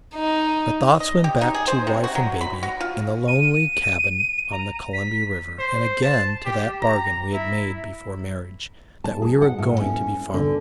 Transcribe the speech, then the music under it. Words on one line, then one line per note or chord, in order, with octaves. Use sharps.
My thoughts went back to wife and baby in the lonely cabin on the Columbia River, and again to that bargain we had made before marriage, that we were going to be farmers.
D#4
D#5
G4
D#4
G#4
C5
C3
F#4
F#3
B5
F#4
F4
D#7
A#5
B6
C5
A5
G4
A#5
E4
A5
G#4
F#5
A2
C#4
D3